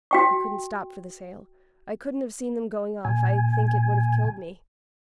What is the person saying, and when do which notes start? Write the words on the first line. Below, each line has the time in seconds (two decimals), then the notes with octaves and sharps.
I couldn't stop for the sale; I couldn't have seen them going off; I think it would have killed me.
0.11 F#4 G5 C#6
3.05 A#2 G#5